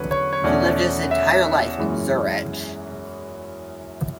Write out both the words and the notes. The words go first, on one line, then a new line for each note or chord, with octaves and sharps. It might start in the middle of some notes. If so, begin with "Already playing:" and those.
He lived his entire life in Zurich.
Already playing: E2 D3 F#3 C#4 B4 C#5
C#5
C#5
E2 B2 A3 C#4 D5
E5
F#2 E3 G#3 C#4